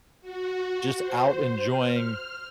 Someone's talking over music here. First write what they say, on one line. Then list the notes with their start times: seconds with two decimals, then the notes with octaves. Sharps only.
just out enjoying
0.21 F#4
0.97 C5
1.70 F6